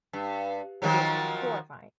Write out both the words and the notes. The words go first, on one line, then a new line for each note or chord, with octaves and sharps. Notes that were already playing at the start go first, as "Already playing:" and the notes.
It is horrifying.
G2
D#3 F3 F#3